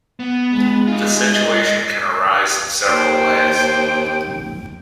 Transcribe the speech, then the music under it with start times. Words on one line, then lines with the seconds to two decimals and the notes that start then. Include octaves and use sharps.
The situation can arise in several ways.
0.20 B3
0.54 G#3
0.87 D#4 F4
1.26 D#5
2.85 D#2 C5 G5